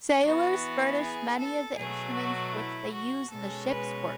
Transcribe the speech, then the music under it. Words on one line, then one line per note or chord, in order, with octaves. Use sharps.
Sailors furnish many of the instruments which they use in the ship's work.
E3 B3 F#4
G#4
A4
B2 F#3 A3 G#4
F#4
E4
F#4
B2 G#3 C#4 A4
B4